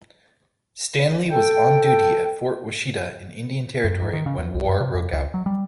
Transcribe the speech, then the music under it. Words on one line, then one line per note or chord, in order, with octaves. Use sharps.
Stanley was on duty at Fort Washita in Indian Territory when war broke out.
A4 G5
F#2
G#2
D#3
C#3
E2
C2
F#2
C3
F2
C#2
F#3
G3